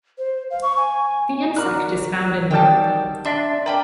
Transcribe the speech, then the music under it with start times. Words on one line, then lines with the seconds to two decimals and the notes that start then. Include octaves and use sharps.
The insect is found in Europe.
0.18 C5
0.50 F5
0.62 C#6
0.77 G#5
1.56 F#4 A#4 D5 F#6
2.51 D#3 F#3 G3 G5 A5
3.25 D4 E5 C6 F#6
3.66 D4 A#4 D5 G5 B5